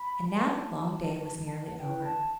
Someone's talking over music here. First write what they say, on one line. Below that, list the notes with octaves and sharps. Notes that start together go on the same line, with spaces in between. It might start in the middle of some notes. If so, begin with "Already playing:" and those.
And now the long day was nearly over.
Already playing: B5
F#4 B4 A5
F#4 B4
F#5
E4 B4 G5
A5